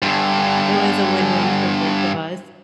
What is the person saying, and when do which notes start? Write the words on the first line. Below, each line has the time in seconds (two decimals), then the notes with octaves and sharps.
It was a win-win for both of us.
0.02 G2 D3